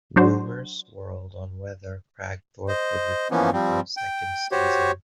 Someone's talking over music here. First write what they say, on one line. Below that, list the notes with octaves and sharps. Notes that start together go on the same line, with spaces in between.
Rumors swirled on whether Kragthorpe would return for a second season.
F#3 D4 F#4 C5
C5 D#5
E3 F3 A#3 B3 C#4
F3 G3 C4
G5
F#4 G4 C5 C#5